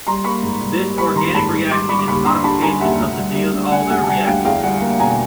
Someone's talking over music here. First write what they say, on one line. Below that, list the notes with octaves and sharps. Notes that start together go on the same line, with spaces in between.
This organic reaction is a modification of the Diels-Alder reaction.
G3 A#5 C6
A#3 B5 C#6
G#2
G3
G3
G3 B5 C#6
D#3 A#5 C6
G#2 A5 B5
G3
G3 C6 D6
G3 B5 C#6
D6
D#2 B5 C#6
D3 A#5 C6
D3 A5 B5
G3 G#5 A#5
D#2 E5 F#5
D2
G3
G3
D3
D3 F#5 G#5
D2 F#5 G#5
A5
G3 F#5 G#5
D2 F5 G5
E2 F5 G5
G3 F#5 G#5
A#3
B2 G#5 A#5